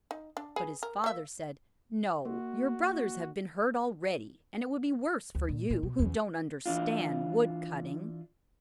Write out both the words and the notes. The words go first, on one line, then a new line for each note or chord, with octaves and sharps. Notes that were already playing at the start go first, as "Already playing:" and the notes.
But his father said: "No, your brothers have been hurt already, and it would be worse for you, who don't understand wood-cutting."
D#4
D4
G#4 B4
A#4
A#3 E5
A#3 F#4
D2
A#2
A#2
B2
E2 C#4
E3 D4 F4